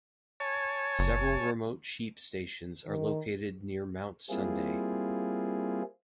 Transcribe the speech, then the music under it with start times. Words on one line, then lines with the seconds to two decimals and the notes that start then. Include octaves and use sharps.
Several remote sheep stations are located near Mount Sunday.
0.40 C#5 G#5 A5
0.99 F#1
2.86 D#3
4.30 G3 A#3 C4 E4 F4 G#4